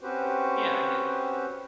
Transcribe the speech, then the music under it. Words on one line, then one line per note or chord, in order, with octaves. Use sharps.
Yeah, I get that.
C4 C#4 F#4 G4 B4 C5